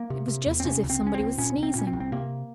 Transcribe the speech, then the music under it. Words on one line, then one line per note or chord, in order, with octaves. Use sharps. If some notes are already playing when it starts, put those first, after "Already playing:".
It was just as if somebody was sneezing.
Already playing: A#3
C3
C3
E2
C4
C3 C#4
C#2
C4
C#2
C#4
C4
C#2
A#2 C#4
C2
C4
A#2 C#4
C4
C2
C4
C3 A#3